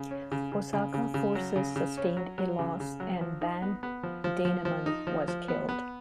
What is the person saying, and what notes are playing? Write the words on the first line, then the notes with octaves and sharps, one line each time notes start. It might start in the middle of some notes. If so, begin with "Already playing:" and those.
Osaka forces sustained a loss and Ban Danemon was killed.
Already playing: C#3
C#4
C#3
C#3
C#3
C#3
C#3
F#3
C#3
C#3
C#4
F#3
F#3
C#3
C#3
F#3
F3
D#4
B3
B3
F3
F3
F3
F3
D#4
F3
F3
B3
B3